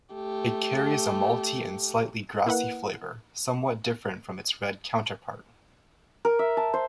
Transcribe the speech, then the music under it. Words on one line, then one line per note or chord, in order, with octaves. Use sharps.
It carries a malty and slightly grassy flavour somewhat different from its red counterpart.
A3 G4
A#3 E4 B4 F#5
A#4
E5
A5
C5